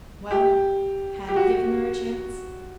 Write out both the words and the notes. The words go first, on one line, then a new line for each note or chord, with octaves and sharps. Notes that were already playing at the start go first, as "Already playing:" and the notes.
Well, had he given her a chance?
G4
G4
F#4